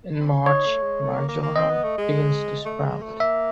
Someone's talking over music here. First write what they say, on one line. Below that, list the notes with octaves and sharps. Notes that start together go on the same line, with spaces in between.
In March, marjoram begins to sprout.
C4
D#4 C#5
A3
G#3
A3
A#3
A#3
A#3
C4 D#5
B3
A3
G#3
A3
G#3
A3
A#3 E5